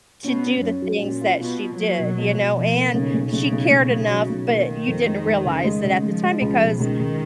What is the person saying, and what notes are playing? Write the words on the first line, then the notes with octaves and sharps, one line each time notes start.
to do the things that she did, you know, and she cared enough, but you didn't realize that at the time because,
B2 C#4
C#4
F#2 C#4
F#3
A#2 C#4
F4
B2 F4
F4
F#3 A#3
B2
B2
B2
B2 F3
A#3
B1 C#3
B1
B1 C#3
B1
B1
B1
F#3
B1
D#3 A#3
A#3
F2
G#3
F2
C#3
G#3
C#3
F3 G#3
G#3
C#2
B2
C#2 D#3
C#2